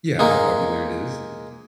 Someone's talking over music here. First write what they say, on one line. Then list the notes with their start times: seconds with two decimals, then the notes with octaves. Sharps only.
Yeah, how popular it is.
0.19 G#3 A#3